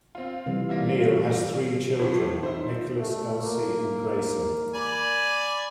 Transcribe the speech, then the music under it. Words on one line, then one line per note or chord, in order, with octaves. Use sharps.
Neil has three children, Nicholas, Elsie and Graysen.
C4 F4
C3 E3 G3
A#3 F4 E5
A2 C3 F4 C5
D#4 C5 E5
A3
A#3
D5 G#5 B5